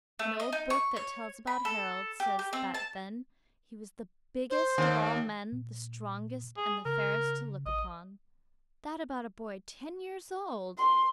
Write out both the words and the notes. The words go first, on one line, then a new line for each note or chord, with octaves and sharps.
An old book that tells about Harald says that then "he was the biggest of all men, the strongest, and the fairest to look upon." That about a boy ten years old!
A3
D#5
D#4
C#6
C#5
B5
A4
G4
G4
C4
A5
C5
D#2
A#2
G#4
C#3 A#4
A1 D#5
C6